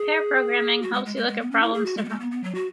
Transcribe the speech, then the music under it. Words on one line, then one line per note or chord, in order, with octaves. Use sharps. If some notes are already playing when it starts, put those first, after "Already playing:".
Pair programming helps you look at problems differently.
Already playing: G#4
F#4
G#3
G#3
G#3
G#3
B3
C#4
E4
G#4
F#4
G#3
B3
G#3
B3
B3
F#3
F#4